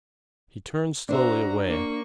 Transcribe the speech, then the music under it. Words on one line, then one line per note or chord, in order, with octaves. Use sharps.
He turned slowly away.
D4 F#4 C5 E5 A#5
A#3 C#6